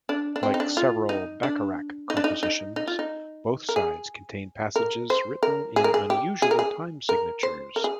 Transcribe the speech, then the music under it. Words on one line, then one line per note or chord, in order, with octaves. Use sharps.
Like several Bacharach compositions, both sides contain passages written in unusual time signatures.
D4
D4
C4
D#4
D4
F4
D#4
D4
D#4
D4
D#4
D#4
D#4
F4
D#4
A#4
G#4
A#4
C5
A#4
G#4
A#4
G#4
G4
G#4
A#4
G#4
A#4
C5
A#4
G#4